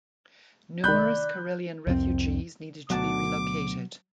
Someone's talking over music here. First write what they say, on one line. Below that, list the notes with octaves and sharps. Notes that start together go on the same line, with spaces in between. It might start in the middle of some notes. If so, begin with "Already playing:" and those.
Numerous Karelian refugees needed to be relocated.
C2 D#3 D5 B5 F#6 G6
C2 F2 F#3 C4
D2 B2 F#3 F#5 A5 D6